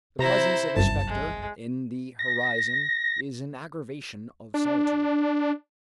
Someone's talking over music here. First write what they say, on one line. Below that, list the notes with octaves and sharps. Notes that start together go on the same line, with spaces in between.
The presence of a spectre in the horizon is an aggravation of solitude.
C3 E4 C5 A#5 A#6
G1 C2 F#2 A5
G#3
A#6
D4